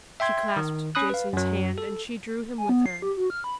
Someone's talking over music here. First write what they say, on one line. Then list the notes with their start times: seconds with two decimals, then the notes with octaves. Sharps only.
She clasped Jason's hand and she drew him with her.
0.20 E5 G5 C6 G#6
0.57 D#3
0.95 C#4 B5 D#6 F#6
1.10 B4 F5
1.33 F#2 F#3
1.78 A4
2.57 G#5
2.69 B3
2.86 C7
3.02 G4
3.17 F#4
3.30 F6
3.44 B5